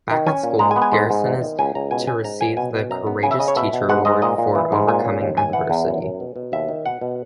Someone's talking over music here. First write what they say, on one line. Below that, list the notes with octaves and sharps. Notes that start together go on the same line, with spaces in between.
Back at school, Garrison is to receive the "Courageous Teacher Award" for overcoming adversity.
D#3
C#4 G#5
A#2
G#3 A#5
G#5
B3
G#5
G#2
G#2
E2
D#3
C#2 G#5
C#2 A#5
B2 G#5
C#4 G#5
G#2 A#5
F#3 G#5
B2 G#5
B2
F#2 A#5
B3
C#3 G#5
E5
C#3 D#5
C#5
B2 E5
B2
G#2 F#5
G#2 D#5
A#2 D#5
A#2
E3
G#2
A#2 G#5
C#4
D#2
D#2 G#5
E3 F#5
E2
F#2
F#2
B2
B2
D#2 E5
D#3
B2 F#5
B2